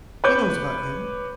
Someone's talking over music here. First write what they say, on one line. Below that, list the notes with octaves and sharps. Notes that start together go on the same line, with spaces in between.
He knows about you.
B4 C#5 D6 G6